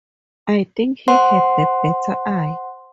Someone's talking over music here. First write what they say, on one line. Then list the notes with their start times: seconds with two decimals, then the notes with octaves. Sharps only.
I think he had the better eye.
1.08 C5 F#5 C6